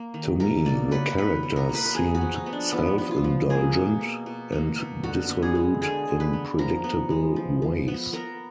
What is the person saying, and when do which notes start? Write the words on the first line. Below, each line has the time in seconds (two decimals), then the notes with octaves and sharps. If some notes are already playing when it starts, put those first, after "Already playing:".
To me, the characters seemed self-indulgent and dissolute in predictable ways.
Already playing: A#3
0.14 D#3
0.40 B2 A#4
0.66 A#3 D5
0.92 F#3 B4
1.18 B2 B4
1.43 B2
1.56 A#4
1.69 A#3
1.75 B4
1.85 A#4
1.95 B3 G#4
2.15 F#4
2.21 F3
2.34 D#4
2.46 B3
2.53 D4
2.73 F3 B3
2.98 B3
3.11 F4
3.24 F3
3.50 A#3 G#4
3.75 B2
4.01 A#3
4.26 B2
4.52 A#3
4.79 B2
5.04 D3 F#4
5.30 B3
5.42 G#4
5.55 G#3
5.82 D3 G#4
6.08 D3
6.20 B4
6.33 B3
6.58 F3 A#4
6.84 B3
7.10 G#3
7.36 F3
7.62 F3
7.88 B3
8.13 B3 A#4